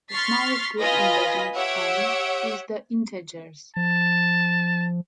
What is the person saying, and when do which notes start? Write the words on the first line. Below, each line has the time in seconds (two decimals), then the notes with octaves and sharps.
The smallest group embedding N is the integers.
0.10 C6 C#6 F6 A6 B6 C7
0.78 F4 B4 D#5 G#5 A#6 B6
1.53 G4 C#5 E5 F#5 E6 D7
3.77 F3 A5